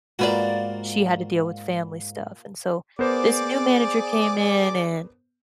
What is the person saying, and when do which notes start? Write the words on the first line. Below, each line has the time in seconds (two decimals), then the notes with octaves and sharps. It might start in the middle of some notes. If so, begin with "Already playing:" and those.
she had to deal with family stuff, and so this new manager came in, and
0.19 G#2 A#3 F4 F#4 B4 D5
2.99 B3 G#4 A#4 C5 D5 D6